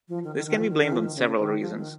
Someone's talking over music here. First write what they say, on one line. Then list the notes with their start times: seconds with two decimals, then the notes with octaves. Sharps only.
This can be blamed on several reasons.
0.09 F3
0.24 D#3
0.36 D#3
0.47 D#3
0.58 F3
0.70 D#3
0.82 D#3
0.92 F3
1.04 D#3
1.16 C#3
1.39 D#3
1.61 F3
1.77 D#3